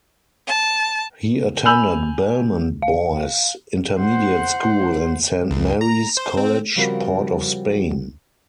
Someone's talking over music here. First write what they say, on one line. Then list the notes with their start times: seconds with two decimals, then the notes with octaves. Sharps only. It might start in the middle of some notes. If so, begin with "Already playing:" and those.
He attended Belmont Boys Intermediate School and Saint Mary's College, Port of Spain.
0.48 A5
1.65 G#5 B5 E6 G6 F7 F#7
2.82 F5
3.98 C5 F#5
5.51 C#2
5.81 A#5
6.17 C5
6.37 C4
6.76 C#3 F3 G3 C4 F#4 A#4